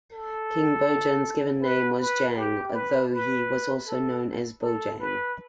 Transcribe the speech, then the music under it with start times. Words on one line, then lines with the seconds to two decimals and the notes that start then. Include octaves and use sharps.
King Bojang's given name was Jang, though he was also known as Bojang.
0.12 A4
1.61 B4
2.00 B4
2.36 G4
2.74 B4
3.12 B4
3.87 A4
4.62 A4
5.00 B4